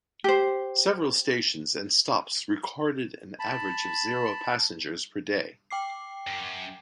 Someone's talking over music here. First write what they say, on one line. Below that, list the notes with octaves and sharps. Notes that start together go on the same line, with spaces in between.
Several stations and stops recorded an average of zero passengers per day.
G4 C5
A5 B5
G5 D6 C7
F#2